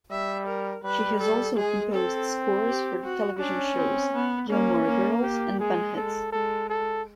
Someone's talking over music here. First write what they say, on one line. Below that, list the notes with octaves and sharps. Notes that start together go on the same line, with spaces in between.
She has also composed scores for the television shows "Gilmore Girls" and "Bunheads".
G3 E5
A#4
G3 B4
A4
G#3 G#4
C4 A4
G4
F#4
C#4 D4
C4
B3
A#3 C#4
A#3
G4
G#3 G#4
A4
G#3 A4
A4